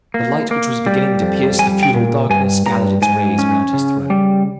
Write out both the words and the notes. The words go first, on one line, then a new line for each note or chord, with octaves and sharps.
The light which was beginning to pierce the feudal darkness gathered its rays around his throne.
A#3
A#3
G3
F2
G3 G#5
G5
A#2
G2 G#5
G2 A#5
G#2 G#5
C#4
C#3
G3